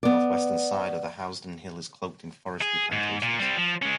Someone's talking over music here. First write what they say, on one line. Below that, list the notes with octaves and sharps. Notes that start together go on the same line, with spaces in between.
The northwestern side of the Housedon Hill is cloaked in forestry plantations.
B3 D5
G#4
G#2
A#2
G3 C4
F3
G#3 C#4